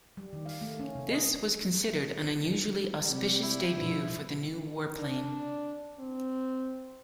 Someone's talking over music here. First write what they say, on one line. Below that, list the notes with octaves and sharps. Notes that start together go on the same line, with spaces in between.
This was considered an unusually auspicious debut for the new warplane.
G3
D#3
F5
A3
C#4
C3
D#5
C3 G3
E4
G2 B2 F3
D4
C4